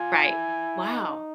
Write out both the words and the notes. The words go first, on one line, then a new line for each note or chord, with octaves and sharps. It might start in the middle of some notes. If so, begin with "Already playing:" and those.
Right, wow.
Already playing: F4 G#5
E4
D#4